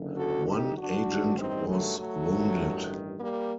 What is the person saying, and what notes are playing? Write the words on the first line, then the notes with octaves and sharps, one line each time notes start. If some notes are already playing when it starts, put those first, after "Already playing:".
One agent was wounded.
Already playing: F#1 F#2 D3
F#4 A4
D#4 G4
D4 F#4
A1 G2 D#3
C4 D#4
F#3 A3
F#3 A3
A1 G2 D#3
G3 A#3